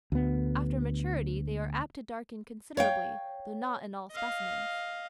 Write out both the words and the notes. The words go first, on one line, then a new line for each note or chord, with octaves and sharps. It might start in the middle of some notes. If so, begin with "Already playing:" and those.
After maturity they are apt to darken considerably, though not in all specimens.
D2 B3
C#5 F5 G5
D#5 F5